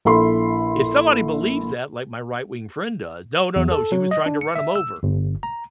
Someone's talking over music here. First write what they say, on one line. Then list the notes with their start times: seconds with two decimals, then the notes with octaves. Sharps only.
if somebody believes that like my right wing friend does "No, no, no, she was trying to run 'em over."
0.05 A#1 E4 A4 B5 C6
3.56 E2
3.71 A4
3.92 F#3
4.11 D#5
4.26 D4
4.41 C#7
4.55 E5
4.76 E6
5.03 G1
5.43 A#5